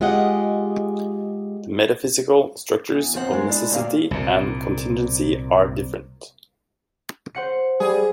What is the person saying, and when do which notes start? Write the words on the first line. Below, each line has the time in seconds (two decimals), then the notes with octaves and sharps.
The metaphysical structures of necessity and contingency are different.
0.01 G#3 F4 G4 G#4 D#5 F#5
2.94 E2
3.14 E2 C#3 F3 C4 G#4 F#5
3.33 G#3 F4 A#4
3.49 G#3 D4 E4
3.71 D2 G2 A#2 F#3 D5 F5
4.11 C2 A#2
7.35 C5 F#5 C#7
7.80 G3 G#4